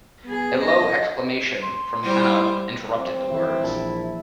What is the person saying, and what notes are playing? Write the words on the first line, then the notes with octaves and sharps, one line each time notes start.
A low exclamation from Hanaud interrupted the words.
B3 G#4
D#5
C6
G3 E4 C5
C6
G3 C4
E3 E4
A#1 A5